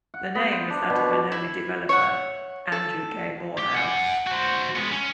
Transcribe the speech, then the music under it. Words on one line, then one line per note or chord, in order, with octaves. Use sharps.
The name is that of an early developer, Andrew K. Morehouse.
F#5
B3
C5
D4
B2
D5
E4
C#5 E5 F#5
A4
G4
F#5 G#5
F#4 C5
G#3 B3
C#4